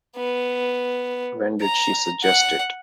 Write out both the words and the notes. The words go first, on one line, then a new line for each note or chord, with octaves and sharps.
When did she suggest it?
B3
A#5
F#5